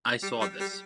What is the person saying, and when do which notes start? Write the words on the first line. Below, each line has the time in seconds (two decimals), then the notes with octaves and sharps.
I saw this.
0.23 G3
0.41 G3
0.60 G3